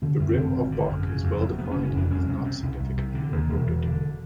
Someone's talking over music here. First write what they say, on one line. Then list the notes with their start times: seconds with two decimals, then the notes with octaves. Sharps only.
The rim of Bok is well-defined and is not significantly eroded.
0.02 D3 C#4
0.20 F#2
0.28 C4
0.37 G#1
0.54 G#1
0.72 D3
0.89 F#2
1.06 C#3
1.24 F2
1.41 F#1
1.58 F#1 B3
1.71 C#4
1.76 C#3
1.84 C#4
1.93 F2 D4
2.11 C2 C#4
2.28 C3
2.45 C3
2.63 C2
2.80 C2
2.97 C3
3.15 D3
3.32 D#2
3.49 E1
3.66 E1
3.84 D3